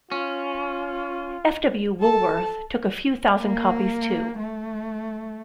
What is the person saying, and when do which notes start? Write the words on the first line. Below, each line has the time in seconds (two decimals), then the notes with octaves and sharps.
F. W. Woolworth took a few thousand copies too.
0.12 C#4 F4
2.00 A4 A5
3.39 A#3
4.39 A3